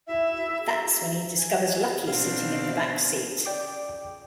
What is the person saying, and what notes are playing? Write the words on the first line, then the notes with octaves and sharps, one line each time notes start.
That's when he discovers Lucky sitting in the back seat.
E4 E5
G#5
B2 C4 D4 F5
D5 G5 D6